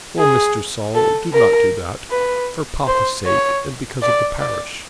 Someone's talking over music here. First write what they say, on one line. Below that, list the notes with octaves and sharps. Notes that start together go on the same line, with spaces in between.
"Oh, Mr. Saul, do not do that--for papa's sake, and because of the parish."
G#4
A4
A#4
B4
C5
C#5
D5
D5